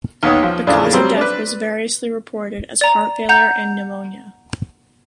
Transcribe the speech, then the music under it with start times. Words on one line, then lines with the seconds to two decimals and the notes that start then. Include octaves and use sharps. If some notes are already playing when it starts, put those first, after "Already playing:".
The cause of death was variously reported as heart failure and pneumonia.
0.23 D#2 D#3 B3 C#5 D#6
0.43 F3
0.67 A1 E2 C#3 F3 D4
0.92 F#3 G3 C4
1.17 D4 B4
2.81 D5 A#5
3.29 F#5 A#5 G6